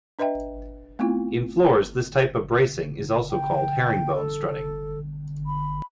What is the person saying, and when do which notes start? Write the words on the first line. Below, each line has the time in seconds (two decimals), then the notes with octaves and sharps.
In floors this type of bracing is also called herringbone strutting.
0.19 D4 B4 D#5 E5 G5
0.99 A3 B3 C4 E4 F4
3.31 G5
4.15 A4
5.47 B5